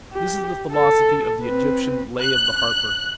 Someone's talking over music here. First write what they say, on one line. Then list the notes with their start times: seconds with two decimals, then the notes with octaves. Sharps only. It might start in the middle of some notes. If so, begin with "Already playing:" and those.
This is the philosophy of the Egyptian "Lay of the Harper".
0.13 G4
0.72 A4
1.42 C4 B4
2.21 F#6